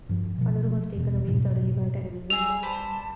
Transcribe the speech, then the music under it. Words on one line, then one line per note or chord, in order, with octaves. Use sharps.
Another was taken away suddenly by a terrible wind.
G2 F3
B2 F3
F1 E2 B2
F2 G#2 B2 F#3
G3 G#4 E5 D#6 E6 F7
B4 C5 D5 A5